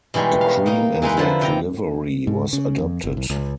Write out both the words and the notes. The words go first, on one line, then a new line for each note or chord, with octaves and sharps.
A cream and red livery was adopted.
B2 E3 G3 G#3 D#4
F5
A#3 D#4
E3 G#3 D#4 B4
D3 F3 E4
C3 G5 A#5
G#2
C#3
F2
G1
C2
C#2